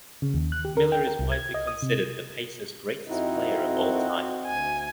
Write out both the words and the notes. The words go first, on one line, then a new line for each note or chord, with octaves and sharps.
Miller is widely considered the Pacers' greatest player of all time.
C#3
D#2
F#6
G4
A#4
G5
A#4
C2
G#6
D#5
D#6
C3
F2 F3 C4 D#4 E4 F#4 A4 D#5
D2 G#5